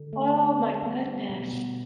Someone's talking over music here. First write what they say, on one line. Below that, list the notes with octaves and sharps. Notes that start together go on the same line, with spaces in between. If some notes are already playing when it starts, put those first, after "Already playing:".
Oh, my goodness.
Already playing: D3
A3
A3
A3
G3 B3
G3
B2
B2